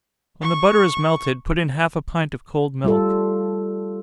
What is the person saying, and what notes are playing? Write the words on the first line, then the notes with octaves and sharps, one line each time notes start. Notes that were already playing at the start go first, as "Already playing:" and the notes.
When the butter has melted, put in half a pint of cold milk.
C#6
G3 F4 A4